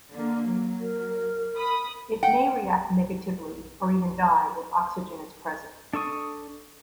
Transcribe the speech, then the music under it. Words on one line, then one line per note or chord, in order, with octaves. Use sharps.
It may react negatively or even die if oxygen is present.
D3 A#3
F#3
A#4
B5 D#6
F#5 G5
D4 A4 C#6 D#6